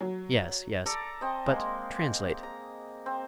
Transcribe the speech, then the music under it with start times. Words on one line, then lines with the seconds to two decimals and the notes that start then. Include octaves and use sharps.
"Yes, yes--but translate."
0.01 F#3
0.86 A4 D5 A#5
1.21 C4 D#5
1.46 G#3 A#3
2.43 A#5
3.06 C4